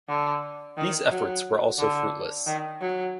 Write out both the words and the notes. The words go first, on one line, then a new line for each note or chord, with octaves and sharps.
These efforts were also fruitless.
D3
D#3
F#3
D3
D#3
F#3